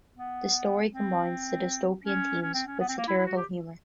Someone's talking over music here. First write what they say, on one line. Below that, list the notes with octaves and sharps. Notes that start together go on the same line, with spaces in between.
The story combines the dystopian themes with satirical humour.
B3
C4
C#4
C#4
C4
C#4
B3
C4
A#3
E4
E4
F#4
G4